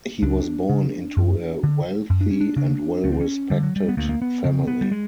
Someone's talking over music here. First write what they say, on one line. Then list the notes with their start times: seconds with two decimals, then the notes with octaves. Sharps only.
He was born into a wealthy and well respected family.
0.22 C#2 D4
0.69 C#3
1.17 F#2
1.63 D3
2.10 F#2
2.21 D4
2.31 C#4
2.41 D4
2.56 C#3 D4
3.04 D2 C#4
3.12 C4
3.21 C#4
3.50 D3 G3
3.63 F#3
3.76 G3
3.89 B3
3.97 D2 A#3
4.09 A#3
4.22 B3
4.44 C#3 C4
4.67 B3
4.81 G3
4.91 G#3